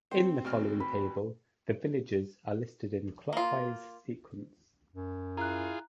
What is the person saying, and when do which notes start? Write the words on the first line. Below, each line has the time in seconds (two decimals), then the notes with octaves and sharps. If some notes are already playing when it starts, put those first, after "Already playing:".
In the following table, the villages are listed in clockwise sequence.
0.11 C4 C5 G5
0.45 D2 B2 F6
0.80 B4
3.33 A#3 F4
4.96 F#2
5.37 E4 F4 G#4 A#5 F#6